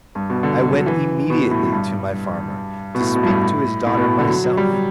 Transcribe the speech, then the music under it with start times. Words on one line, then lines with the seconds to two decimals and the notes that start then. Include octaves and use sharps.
I went immediately to my farmer, to speak to his daughter myself.
0.15 G2
0.30 B2
0.43 D3
0.58 F#3
0.73 F#3
0.86 E3
1.30 B2
1.51 A2
1.72 G2
2.95 B2
3.00 A2
3.15 B2
3.23 G2
3.29 A2
3.86 A2
3.97 B2
4.19 D3
4.29 F#3
4.44 F#3
4.57 G3
4.72 F#3